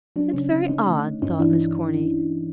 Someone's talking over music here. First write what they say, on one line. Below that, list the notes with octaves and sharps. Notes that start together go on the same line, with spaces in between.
"It's very odd," thought Miss Corny.
F#3 D4
C#3 C#4
C#3
D3 C#4 D#4
A3
D3
G2 C#4 D#4
E3 D4 E4